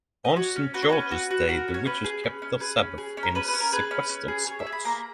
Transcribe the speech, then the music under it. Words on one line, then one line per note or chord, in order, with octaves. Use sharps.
On St. George's Day the witches keep their sabbath in sequestered spots.
D#5
F#4 C#5
C#4
F#4 B4
C#5
C#4 B4
F#4
F#4
F#4 A#4
C#4
C#5
C#4 B4
G#4
C#4
C#4
G#4 B4
C#4
G#4
C#4
A#4
C#4 B4
B4
C#4
A#4
G#4 B4
C#4
C#4
G#4
G#4 C#5
E5
G#4
B5
A#3 A#5